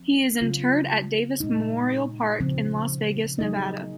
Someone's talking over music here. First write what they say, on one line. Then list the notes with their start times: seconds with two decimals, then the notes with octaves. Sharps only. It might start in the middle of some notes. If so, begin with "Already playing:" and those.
He is interred at Davis Memorial Park in Las Vegas, Nevada.
Already playing: F3 C4
0.41 C#3 F#3 C4 F4
1.40 A#2 G#3 D#4
2.40 C#3 F3 C4
3.39 F#3 A#3 D#4 G#4 D#5